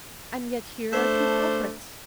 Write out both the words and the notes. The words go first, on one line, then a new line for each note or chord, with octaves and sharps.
"And yet here are two culprits."
A3 D4 C5